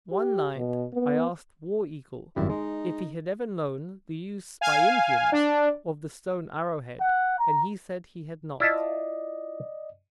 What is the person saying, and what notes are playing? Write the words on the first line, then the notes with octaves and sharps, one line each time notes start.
One night I asked War Eagle if he had ever known the use, by Indians, of the stone arrow-head, and he said he had not.
G4
B2
B3
G#1 F#2 G3 E4
G#3 D#4
F5 G#5
D4
F#5
A#5
E4 F4 D5 D#5 A5